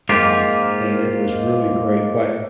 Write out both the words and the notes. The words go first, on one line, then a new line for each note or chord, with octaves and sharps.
um, and it was really great, but,
G#2 A#3 F4 G4 A#4